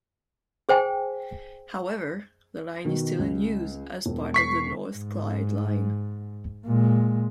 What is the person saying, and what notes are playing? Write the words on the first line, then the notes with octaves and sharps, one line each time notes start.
However, the line is still in use as part of the North Clyde Line.
G#4 C5 G5 G#5
B2 D#3
C#2
E1
C#6 B6 C7
G#2
A#2 G#3